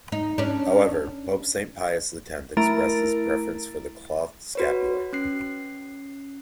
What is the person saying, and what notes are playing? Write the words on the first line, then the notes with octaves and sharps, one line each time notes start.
However, Pope Saint Pius the Tenth expressed his preference for the cloth scapular.
D#4
C#4 D4
A3 E4 A#4 A#5 A6 D7
F#4 B4 C#5
C#4 F#6 C7